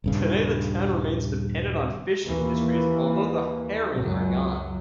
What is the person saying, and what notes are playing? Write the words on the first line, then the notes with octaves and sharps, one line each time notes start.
Today the town remains dependent on fishing industries although the herring are gone.
D#1 G2 C#3
D#2 E3 A#3
C#2 F#2 F#3